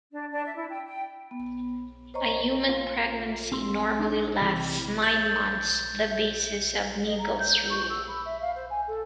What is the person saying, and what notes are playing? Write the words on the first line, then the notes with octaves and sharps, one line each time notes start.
A human pregnancy normally lasts nine months, the basis of Naegele's rule.
D4
D4
E5
E4
G5
G5
B3
C5 C#5 D#5 A#5 C#6
F4
C4 C6
D4 D#4 G#4
C3 E3
G6 A6 F#7
D#5
A#5
G6
C#6
E6
B5
E5
F5
C5
G#5
A4